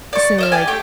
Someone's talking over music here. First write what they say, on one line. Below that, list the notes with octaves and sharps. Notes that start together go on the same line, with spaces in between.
so, like,
D5 C#6
D#5 E5 F6
G4 D5 G#5
A3 G4 G5